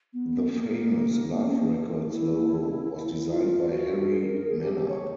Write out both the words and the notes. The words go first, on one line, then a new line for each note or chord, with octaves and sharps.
The famous Love Records logo was designed by Harri Manner.
B3
A#3
B3
C#4
A#3
E4
F4
F#4
G#4
A#4
A#4
G#4
G4
G4
C#5